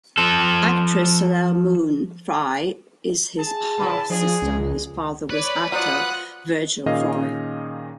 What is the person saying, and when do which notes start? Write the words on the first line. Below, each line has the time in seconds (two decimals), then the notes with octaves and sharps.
Actress Soleil Moon Frye is his half-sister; his father was actor Virgil Frye.
0.18 F3 A4
3.39 G#4 A5
3.77 A2 C#3 E4
4.10 F3 G#3 D4 G#4
4.42 C#2
5.30 B4 C#5 D5
5.72 F#3 F4 C5 D5 F#5 D#6 F#6
6.86 A#2 D#3 C#4 G#4 D#5 F5